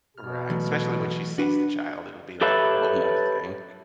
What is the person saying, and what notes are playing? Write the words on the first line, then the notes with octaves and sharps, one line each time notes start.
Right. Especially when she sees the child, it'll be, like, whole 'nother thing.
B2 F6
E3 F#3 A3
D4 F#4 B4 F#5
G4 A4 B4 C#5 E5